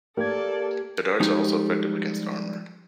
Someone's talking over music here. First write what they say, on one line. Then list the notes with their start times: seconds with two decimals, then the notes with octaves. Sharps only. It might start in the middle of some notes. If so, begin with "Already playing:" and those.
The darts are also effective against armour.
0.17 A#3 G4 A4 D5 G#6
1.20 F3 G3 G#3 D#4 G4